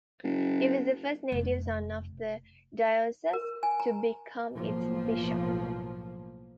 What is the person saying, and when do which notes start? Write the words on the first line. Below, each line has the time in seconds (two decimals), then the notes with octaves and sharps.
He was the first native son of the diocese to become its bishop.
0.24 F#1
1.32 F1
3.33 A#4
3.63 G#5
3.80 A#5
4.53 B1 A2 F3 A#3